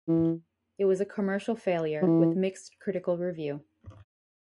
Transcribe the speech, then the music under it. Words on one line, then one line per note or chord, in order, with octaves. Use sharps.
It was a commercial failure, with mixed critical review.
E3
F#3
E3